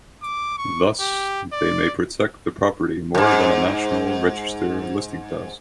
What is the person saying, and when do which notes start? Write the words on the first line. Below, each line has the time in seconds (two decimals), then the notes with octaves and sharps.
Thus, they may protect the property more than a National Register listing does.
0.23 D6
0.58 C#6
1.00 G4
1.52 D5
3.15 F2 G#2